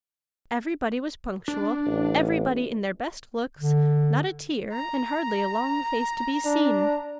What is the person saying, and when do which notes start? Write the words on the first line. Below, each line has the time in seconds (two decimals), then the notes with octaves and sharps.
Every body was punctual, every body in their best looks: not a tear, and hardly a long face to be seen.
1.48 D4
1.86 A1
3.59 D3
4.73 A#5
6.45 D4